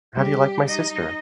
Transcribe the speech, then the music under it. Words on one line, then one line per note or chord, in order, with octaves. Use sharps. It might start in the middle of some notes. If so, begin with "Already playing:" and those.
How Do You Like My Sister?
G3 G4
D#4 D#5